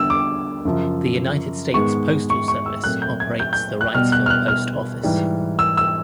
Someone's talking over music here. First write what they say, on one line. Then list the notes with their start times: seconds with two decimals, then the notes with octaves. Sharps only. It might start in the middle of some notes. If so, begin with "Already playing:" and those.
The United States Postal Service operates the Wrightsville Post Office.
Already playing: D3 G3 B3 E6
0.10 D6
0.65 F#2 C#3 F3
1.74 G#2 D#3 G#3 B3 C#6
2.30 C#6
2.48 C#6
2.66 E6
2.84 A#2 F#3 A3 C4 F#6
3.02 G6
3.20 G#6
3.40 G6
3.53 G6
3.81 F#6
3.94 B2 G3 B3 F6
4.12 F#6
4.26 F6
4.30 F#6
4.48 F6
5.03 G#2 E3 G3
5.59 E6
5.77 E6